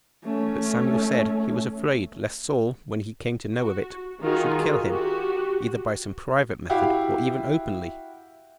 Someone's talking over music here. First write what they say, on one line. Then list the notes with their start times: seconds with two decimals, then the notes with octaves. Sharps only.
But Samuel said, he was afraid lest Saul, when he came to know of it, should kill him, either by some private method or even openly.
0.24 A3 C#4
3.54 F#4
4.20 D#3 F4 F#4 G#4
4.88 F#4 G4
6.70 E4 F#4 G4 F5